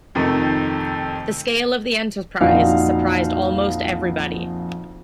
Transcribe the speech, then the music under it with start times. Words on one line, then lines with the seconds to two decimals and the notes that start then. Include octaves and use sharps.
The scale of the enterprise surprised almost everybody.
0.15 F2 C3 D#3 A3 D#4
2.41 A#1 F2 D#4 F#4 F5